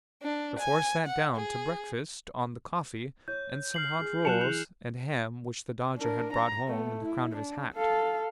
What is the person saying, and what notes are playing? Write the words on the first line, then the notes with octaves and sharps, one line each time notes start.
The four sat down, to breakfast, on the coffee, and some hot rolls and ham which the Dodger had brought home in the crown of his hat.
D4
G#5
F#5
G#4
C#5 G6
F6 C7 F#7
G#4
F#3 A5 F#6 C#7 E7 F7
E3 E4 G#4 F#6 G6 F7
D4 A#4
A#5
A3 B3
E4
D4
A4 F5